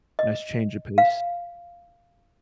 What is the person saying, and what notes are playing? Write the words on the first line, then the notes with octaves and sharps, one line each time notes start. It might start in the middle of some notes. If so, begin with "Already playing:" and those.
Nice change of pace.
D#5
F5